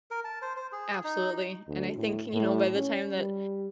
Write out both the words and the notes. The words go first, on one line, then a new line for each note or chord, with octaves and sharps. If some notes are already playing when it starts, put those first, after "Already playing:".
Absolutely, and I think, you know, by the time that
A#4
A5
C5
C5
G#4
D#4
D2
A2
A2
C#4
G3